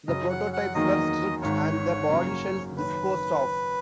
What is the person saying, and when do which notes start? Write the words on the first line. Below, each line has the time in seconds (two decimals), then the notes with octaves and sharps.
The prototypes were stripped and the bodyshells disposed of.
0.07 F#2 C#3 F#3 D#5
0.30 F#5
0.53 F#5
0.74 E2 D#3 F#3 A#3 D#4 D#5
1.42 G#1 G#2 D#3 C#5
2.09 F#2 C#3 F#3 A#3 C#4
2.76 F#1 F#2 D#3 B4